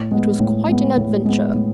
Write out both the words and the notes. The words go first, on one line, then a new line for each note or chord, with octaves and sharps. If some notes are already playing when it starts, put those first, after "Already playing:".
"It was quite an adventure."
Already playing: A2
G#3 B3
A2
G#3 B3
A2
G#3 B3
A2